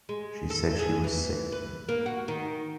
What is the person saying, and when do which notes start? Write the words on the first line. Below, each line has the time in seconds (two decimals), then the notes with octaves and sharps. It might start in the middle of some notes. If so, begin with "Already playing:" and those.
She said she was sick.
0.09 G#3
0.50 A4
0.79 G#4
1.04 E3
1.52 B4
1.89 A#3
2.06 F#4
2.28 D#3